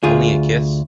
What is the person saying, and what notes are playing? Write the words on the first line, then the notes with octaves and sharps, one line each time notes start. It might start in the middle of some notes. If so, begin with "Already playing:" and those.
Only a kiss?
D2 F4 G#4